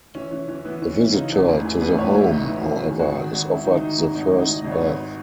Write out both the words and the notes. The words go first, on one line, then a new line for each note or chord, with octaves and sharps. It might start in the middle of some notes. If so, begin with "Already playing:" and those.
A visitor to the home, however, is offered the first bath.
E3 C#4
E3 C#4
E3 C#4
E3 B3
E3 C#4
E3
C#3 D#4
E2
A1
E3 G#4
A1 B4
A2 C#5
F#4
E3 E4
A1 D#4
E3 C#4
F#4
E3 G#4
D#3 F#4
G#4
G#1 F#4
D#3
G#1
G#1 E4
D#3 D#4
D#3 D#4
G#1 D#4
G#1 D#4
G#1 E4
D#4
G#1
G#1 D#5
C#5
G#1 B4